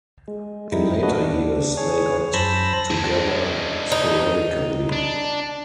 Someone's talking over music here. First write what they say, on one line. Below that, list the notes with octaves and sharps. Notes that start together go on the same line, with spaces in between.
In later years they got together sporadically.
G#3
F2 G3 D#4 E4
F#3 A3 D4 F#4 B4 D#5
D4
G#4 C#5
F#2 C5 A5 B5 E6 A#6
G#3 D4
D#4
D4